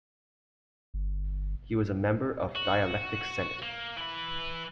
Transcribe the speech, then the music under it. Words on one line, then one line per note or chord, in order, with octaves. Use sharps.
He was a member of Dialectic Senate.
G1
F#4
A#3
E3 B4